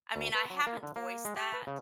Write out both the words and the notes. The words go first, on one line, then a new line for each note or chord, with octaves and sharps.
I mean, I haven't voiced that,
D2
B4
F#3
A#3
D3
A#3
G#3
G4
B4
C#3